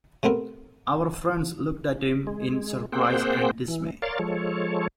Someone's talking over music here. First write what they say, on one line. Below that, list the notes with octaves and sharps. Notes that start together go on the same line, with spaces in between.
Our friends looked at him in surprise and dismay.
C3 A3 B3 C4 A#4
G#3
A#3 C4 G#4 C5 F#5 G5
E3
A#4 C#5 D5 F5 C6 A6
F3 G#3 A4 C#5